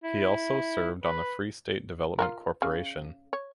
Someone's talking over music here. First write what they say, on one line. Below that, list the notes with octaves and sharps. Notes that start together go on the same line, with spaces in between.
He also served on the Free State Development Corporation.
E4
B4
F4 F#4 A#4
C#3
C#5